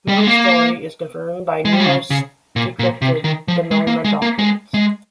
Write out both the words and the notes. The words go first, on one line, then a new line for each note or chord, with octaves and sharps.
Miller's story is confirmed by numerous decrypted Venona documents.
G3
G#3
A#3
G#3
G3
G#3
C#3
C#3
A#2
A#2
C3
D#3
F3
G#3
A#3
G#3
A#3
G#3
G#3